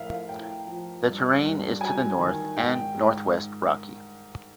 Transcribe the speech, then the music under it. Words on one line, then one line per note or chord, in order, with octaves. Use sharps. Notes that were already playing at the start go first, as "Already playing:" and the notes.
The terrain is to the north and north-west rocky.
Already playing: A2 F3 A#4 E5 F5
F5
A2 G5
F3
G2
G2
F#3 G#5
D#3
G#2 G5
G#2